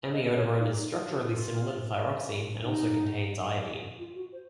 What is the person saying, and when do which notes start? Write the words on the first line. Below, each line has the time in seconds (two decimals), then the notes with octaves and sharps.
Amiodarone is structurally similar to thyroxine and also contains iodine.
0.13 D#5
0.36 C#5
0.59 D#4
0.76 D#4
0.92 F4
1.09 F#4
1.27 F4
2.63 D#4
3.99 F4
4.15 F#4
4.33 C5